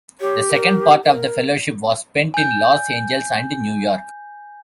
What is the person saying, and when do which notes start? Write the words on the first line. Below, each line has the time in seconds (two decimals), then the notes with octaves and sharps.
The second part of the Fellowship was spent in Los Angeles and New York.
0.21 G4 C#5
0.49 A#4
1.04 A#4
2.34 G#5 G6